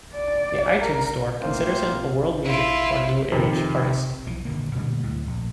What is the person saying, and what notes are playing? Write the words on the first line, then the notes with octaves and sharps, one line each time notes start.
The iTunes Store considers him a World Music or New Age artist.
D5
A#4
A2 A#3 C4 F4 C5
E4 F4
F2 C3 D#3
B1 E3 F3
D#1 D3 A#3
A#2 D3 G3 A3
D2 A2
A#1